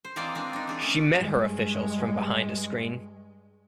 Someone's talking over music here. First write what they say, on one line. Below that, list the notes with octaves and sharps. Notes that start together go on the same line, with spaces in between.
She met her officials from behind a screen.
C5
E3 A#3 C4 G#4 D5 D#5
G#3 C4 D4
D4 D#4
E3 D4 G#4
A3 C#4
G2 G#3